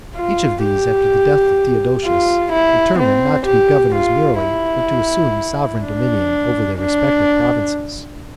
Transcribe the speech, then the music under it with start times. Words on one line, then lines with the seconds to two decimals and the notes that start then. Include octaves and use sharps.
Each of these, after the death of Theodosius, determined not to be governors merely, but to assume sovereign dominion over their respective provinces.
0.16 F4
0.63 G4
2.05 F4
2.53 E4
2.99 C4
3.47 G4
3.95 F4
4.42 E4
5.85 D4
6.78 D4